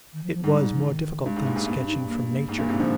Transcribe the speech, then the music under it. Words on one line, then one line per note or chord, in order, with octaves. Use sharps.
It was more difficult than sketching from nature.
D#3
F3
F3
G#2 G3
F3
D#3
G2 G#3
G#2
G2 A#2
G#2
G2 A#3
C4
D#4
C4
A#3
A#3
G#2 A#3
G2 A#2
G#2 C3
D3 F3